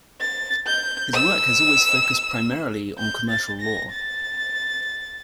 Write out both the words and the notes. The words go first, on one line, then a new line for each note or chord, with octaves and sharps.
His work has always focused primarily on commercial law.
A6
G6
E6
G6
A6
A#6
A6